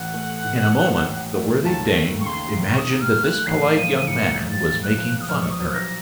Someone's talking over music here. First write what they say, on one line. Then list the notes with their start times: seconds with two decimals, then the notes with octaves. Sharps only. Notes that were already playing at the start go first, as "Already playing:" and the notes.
In a moment the worthy dame imagined that this polite young man was making fun of her.
Already playing: A1 F#5
0.14 A3
0.44 A2
0.74 A1
1.04 A1
1.34 A3
1.65 D#2 A5
1.96 A3
2.21 C#6
2.25 C#3 C6
2.56 D#2
2.73 C#6
2.78 D#6
2.86 D#2
3.01 F6
3.17 A3
3.24 F#6
3.46 A1 C7
3.77 F3 D#7
3.98 D#7
4.07 A2 C#7
4.37 A1 A6
4.68 A1
4.83 F#6
4.98 F3
5.21 D#6
5.28 A#1 F6
5.41 C#6
5.51 D#6
5.59 F#3
5.73 A#6